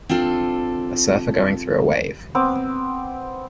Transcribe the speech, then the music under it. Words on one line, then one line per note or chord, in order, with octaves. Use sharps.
A surfer going through a wave.
C4 D4 F4 A4
B3 C4 D6